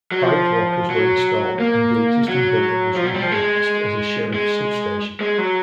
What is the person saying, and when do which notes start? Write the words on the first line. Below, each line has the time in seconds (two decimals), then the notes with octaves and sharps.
Bike lockers were installed and the existing building was re-purposed as a Sheriff substation.
0.12 F#3
0.23 F3
0.90 F#3
1.60 A#3
2.28 F#3
2.96 F3
3.05 F#3
3.14 G3
3.22 F3
3.32 G#3
4.34 G#3
5.20 G#3
5.38 F#3